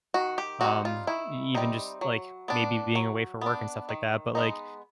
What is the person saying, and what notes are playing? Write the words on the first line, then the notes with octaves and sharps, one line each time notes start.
um, e even just, like, maybe being away for work and stuff like that. But, like,
D#3 F#4
G4
G3 C4 D#4 F#4
F4
D#3 E4
G3 C4 D#4
F#3
B3 D4
F#3
B3 D4
D#3
G#3 B3 D#4